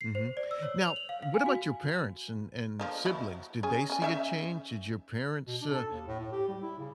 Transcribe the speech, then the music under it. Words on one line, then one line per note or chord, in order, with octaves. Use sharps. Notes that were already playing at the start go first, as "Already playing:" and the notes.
Mhm. Now what about your parents and and siblings? Did they see a change? Did your parents, uh,
C7
C5
D5
E6
C#5
F7
F#7
F5
F5
G#5
F#4
D3 F3 A#3
F#3 E4
C#4 G#4 G#5
C#4 G#5
C#4 D#4 E5
B2
D4
A4
D#2
A2
A2
G4
G3
E4
C#3